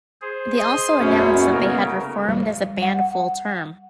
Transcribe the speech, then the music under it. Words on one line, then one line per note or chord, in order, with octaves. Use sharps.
They also announced that they had reformed as a band full term.
G#4 C5
D#5 C6
F#2 B2 A#3 C#4 E4
C#3 A3 B3 A#4
G3
F#5